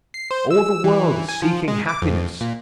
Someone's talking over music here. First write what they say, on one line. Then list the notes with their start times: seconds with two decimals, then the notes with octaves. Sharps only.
All the world is seeking happiness.
0.14 C7
0.31 C5
0.51 E6
0.84 E3
1.29 G#5
1.42 F3
1.68 G#3
1.89 D6
2.02 F2
2.41 A#2